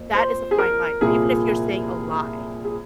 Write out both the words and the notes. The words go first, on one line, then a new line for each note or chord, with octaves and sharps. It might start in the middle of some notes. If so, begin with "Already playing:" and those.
that is a fine line, so even if you're saying a lie
Already playing: F2 A#3
C5
G#4
A#4
C2 A#2 F3 A#3 G#4
G#4